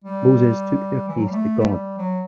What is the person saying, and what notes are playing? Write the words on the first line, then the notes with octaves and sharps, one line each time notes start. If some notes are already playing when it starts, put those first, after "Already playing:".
Moses took their case to God.
G3
E3
F#3
G3
A3
A3
G3
F#3